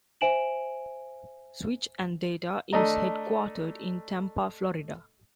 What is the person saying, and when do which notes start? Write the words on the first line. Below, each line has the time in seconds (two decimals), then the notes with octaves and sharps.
Switch and Data is headquartered in Tampa, Florida.
0.21 C5 E5 G#5 D7 E7 F#7
2.73 A3 D4 D#5 A#5